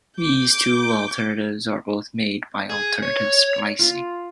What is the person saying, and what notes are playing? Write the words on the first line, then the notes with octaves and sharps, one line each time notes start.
These two alternatives are both made by alternative splicing.
D6 G6
G#4
C#5
F4